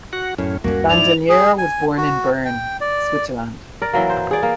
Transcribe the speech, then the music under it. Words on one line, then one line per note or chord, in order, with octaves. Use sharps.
Bandelier was born in Bern, Switzerland.
F#4 F#5
F#2 A2 C#4
C#2 F#2 G3 A#3 C#4 F#4
G#2 E4 D5 F7
G#4
G#5
F#4
G5
D5
A#4 D5
E3 F#3 A#3
C5
G#4 D5
A#3